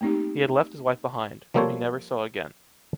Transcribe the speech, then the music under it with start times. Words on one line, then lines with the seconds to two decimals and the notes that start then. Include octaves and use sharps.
He had left his wife behind, whom he never saw again.
0.01 A3 A#3 C4 D#4 G4
1.54 F3 G3 A#3 A4 C5 C#5